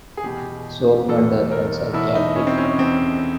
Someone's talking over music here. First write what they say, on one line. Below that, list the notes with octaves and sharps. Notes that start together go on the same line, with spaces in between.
Soul Murder and Psychiatry.
G#4
E2 B2 G4
E2 B2 A4
A#4
E2 B2 E4
D#4
C#4
C4
C#4
E2 B2 C4